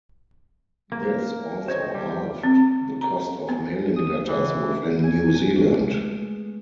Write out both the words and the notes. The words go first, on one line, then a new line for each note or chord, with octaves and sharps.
This also halved the cost of mailing letters within New Zealand.
A#3
C5 C#5 D#5
G3
C4
A#5
B3
D#6
E3
G#5
G#3 A3 B3 G#4